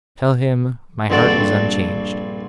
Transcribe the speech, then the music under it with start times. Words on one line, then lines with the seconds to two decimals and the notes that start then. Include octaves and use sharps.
Tell him, my heart is unchanged.
1.10 A#1 G2 C4 F#4 A4 D5